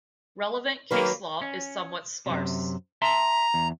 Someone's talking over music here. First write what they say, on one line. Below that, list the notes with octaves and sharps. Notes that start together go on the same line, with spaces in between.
Relevant case law is somewhat sparse.
D#3 F#3 A#3 B4
C#4
F#2 C3
E5 A5 A#5 C6
E2